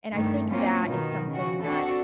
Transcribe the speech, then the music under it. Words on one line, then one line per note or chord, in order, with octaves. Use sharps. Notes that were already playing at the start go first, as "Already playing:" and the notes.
and I think that is something that
G2 D#3 A3
A#3 C4 C#4 F4
B2 D#3
C#3 F#4
C4 D4 F#4 A4